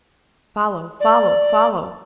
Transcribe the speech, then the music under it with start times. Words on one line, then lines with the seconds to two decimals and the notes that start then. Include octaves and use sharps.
Follow, follow, follow!
1.00 D5